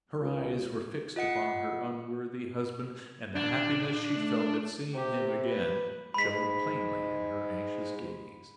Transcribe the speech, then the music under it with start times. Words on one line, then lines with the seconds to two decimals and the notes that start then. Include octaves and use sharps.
Her eyes were fixed upon her unworthy husband, and the happiness she felt at seeing him again shone plainly in her anxious gaze.
0.20 C#2
1.16 F4 D#5 F#5 C#7
3.35 D#2 A#2 D4
4.11 A3
4.95 C3 G4
5.46 B4
6.14 G#2 G#3 B5 B6